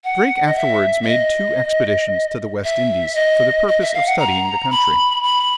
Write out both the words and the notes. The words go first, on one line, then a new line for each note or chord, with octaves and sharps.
Drake afterwards made two expeditions to the West Indies for the purpose of studying the country.
F#5
D#5
E5
E5
D#5
E5
D#5
D#5
E5
F5
F#5
A#5
B5
B5